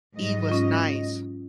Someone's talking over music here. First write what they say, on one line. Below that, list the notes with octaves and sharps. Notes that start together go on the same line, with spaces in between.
E was nice.
G#2 F#3 D#5
C#4 F4